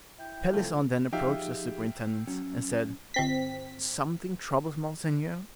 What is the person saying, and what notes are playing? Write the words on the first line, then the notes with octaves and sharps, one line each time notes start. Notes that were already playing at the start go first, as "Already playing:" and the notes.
Pelisson then approached the superintendent, and said: "Something troubles monseigneur?"
E4 G5
C#2 F3 A3
F3 D#4 G4 G#4 E5 F5 G5
F#3 C#4
G1 C4 B6